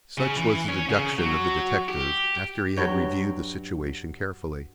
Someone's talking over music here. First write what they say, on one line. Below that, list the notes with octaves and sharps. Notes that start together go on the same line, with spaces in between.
Such was the deduction of the detective after he had reviewed the situation carefully.
C#3
E3
C#4
C#3
F#3
G4
G2 F#3 C#5 G5